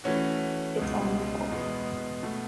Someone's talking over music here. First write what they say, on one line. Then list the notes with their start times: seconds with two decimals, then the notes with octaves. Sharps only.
It's all my fault.
0.04 E3 A3 C#4 F#4
0.77 C#2 B2 G#3
1.50 E2 B2 G#3 B3
2.23 B2 A3